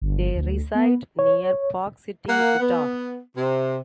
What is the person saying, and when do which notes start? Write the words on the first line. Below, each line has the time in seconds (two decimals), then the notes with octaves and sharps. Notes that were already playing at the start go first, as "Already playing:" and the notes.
They reside near Park City, Utah.
0.01 G1
0.35 D2
0.75 B3
1.19 C#5
2.29 A#3 F#5
2.60 B3
3.37 C3